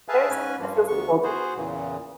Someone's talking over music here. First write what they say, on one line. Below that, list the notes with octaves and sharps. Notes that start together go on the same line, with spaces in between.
there is something that feels indulgent.
G#4 B4 E5 F5 G#5 A5
G#2 C#4 B4 G#5
G2 F3 A#3
D2 B3 C#6
B3 F#4 G#4 C5
E2 A#2 C#3 E3